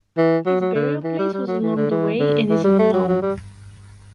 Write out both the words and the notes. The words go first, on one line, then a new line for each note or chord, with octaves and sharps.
His burial place was along the way and is unknown.
E3
F#3
F#3
D3
E3
G3
G3
F#3
E3
D3
E3
D3
E3
G3
A3
F#3
F#3
G3